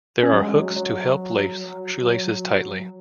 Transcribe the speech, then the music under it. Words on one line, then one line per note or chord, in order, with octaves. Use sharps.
There are hooks to help lace shoelaces tightly.
C#4
F#3
G#3
F#3
F#3